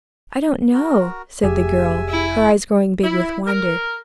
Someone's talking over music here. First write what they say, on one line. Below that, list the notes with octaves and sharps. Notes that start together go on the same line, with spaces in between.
"I don't know," said the girl, her eyes growing big with wonder.
F#4 A#4
F1 G4 G#4 E5 G#5
E4
E4
A#4